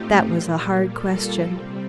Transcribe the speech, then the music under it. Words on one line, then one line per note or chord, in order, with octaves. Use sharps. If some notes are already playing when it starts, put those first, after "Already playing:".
That was a hard question.
Already playing: A2 A3 C4 D#4 F4 G4
A#2 G3 A#3
F4 A4
C3 G3 C4